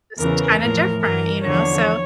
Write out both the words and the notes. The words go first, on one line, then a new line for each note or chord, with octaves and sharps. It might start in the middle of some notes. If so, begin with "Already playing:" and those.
it's kind of different, you know, so
E2 C#3 E3 A#4
A2 F3 A#4
G2 E3 A#4
E2 D3 F3 C#5